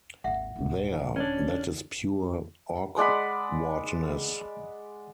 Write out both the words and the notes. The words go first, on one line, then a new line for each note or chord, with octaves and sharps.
There, that is pure awkwardness!
G#1 D#2 E5 F#5
D#1 D2
C#4 D4 D5
G#3 D5 F#5 B5